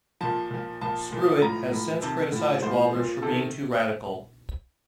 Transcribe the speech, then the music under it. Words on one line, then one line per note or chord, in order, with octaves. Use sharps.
Spruyt has since criticized Wilders for being too radical.
A#2 F3 A5
A#2 F3
A#2 F3 A5
A#2 F3
A2 F3 A#5
A2 F3
C3 D#3 A5
A2 F3
A2 F3 C5
A#2 F3
C3 D#3 A4